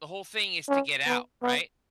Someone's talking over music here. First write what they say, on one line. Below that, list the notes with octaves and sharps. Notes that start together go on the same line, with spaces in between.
the whole thing is to get out, right?
C#4
B3
B3